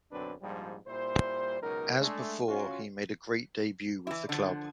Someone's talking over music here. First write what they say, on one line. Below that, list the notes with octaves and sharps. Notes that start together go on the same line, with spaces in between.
As before, he made a great debut with the club.
B1 F#2 D3 C4 D4 B4
A#1 G#2 F3 G3
A#2 G3 E4 C5
C#2 B2 F#3 D#4 A#4
G#3 A3 D4
C#4 F4 F#4
E3 E4
D3 F3